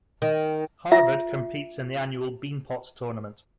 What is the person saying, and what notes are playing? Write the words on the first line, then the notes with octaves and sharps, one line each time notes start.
Harvard competes in the annual Beanpot Tournament.
D#3
F4 E5